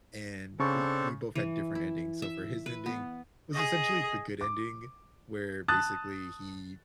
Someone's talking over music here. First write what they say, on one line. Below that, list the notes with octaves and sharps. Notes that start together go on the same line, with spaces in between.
and, we we both had different endings. So for his ending, it was essentially the good ending where, basically, he
C#3 C4 D4 A4 C#6
E3
E4
E5
B4
B3
G#4 D#5
D6
A5 D#6 F#6 A6